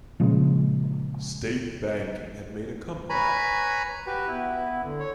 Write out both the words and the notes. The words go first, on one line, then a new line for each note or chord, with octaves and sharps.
State banking had made a comeback.
A#2 C#3 F3 G#3
B4 C#5 G#5 A#5 B5
F#4 G4 B4
B3 E4
D3
C#5